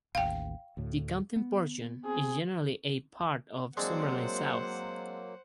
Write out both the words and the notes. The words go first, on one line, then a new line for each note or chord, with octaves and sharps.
The county portion is generally a part of Summerlin South.
A1 D#2 F5 G5
D2 A2
B3
C4 G#4
F#3 G#3 A#3 C4 D4 C5 F#5